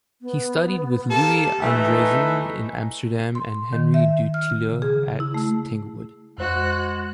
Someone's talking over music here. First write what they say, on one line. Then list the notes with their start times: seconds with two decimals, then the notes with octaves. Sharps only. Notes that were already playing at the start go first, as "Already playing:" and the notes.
He also studied with Louis Andriessen in Amsterdam and Henri Dutilleux at Tanglewood.
0.22 B3
1.09 A#3 G4 A4 A5
1.61 E3 A3 D#4
3.35 C6
3.73 D#3
3.94 E5
4.34 F6
4.70 C#3
4.82 G#4
5.20 E4
5.34 A3
6.38 F2 G#3 F#4 C5 F#6 E7